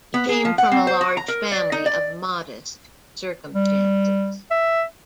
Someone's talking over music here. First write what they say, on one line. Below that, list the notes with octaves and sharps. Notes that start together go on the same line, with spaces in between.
He came from a large family of modest circumstances.
B3
G#4
F3
F#5
C4
C5
F#4
A#5
A#4
D5
D#4
D5
G3
E5